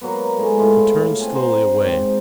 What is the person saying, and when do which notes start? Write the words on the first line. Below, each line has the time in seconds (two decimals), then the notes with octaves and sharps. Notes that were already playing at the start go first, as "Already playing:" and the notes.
He turned slowly away.
0.01 F#3 A#3 B3
0.38 G#3 A3 E4 A4
0.59 A2 F4
1.21 C4 G#5
1.35 C5 F#5 A#5
1.82 G#2 C4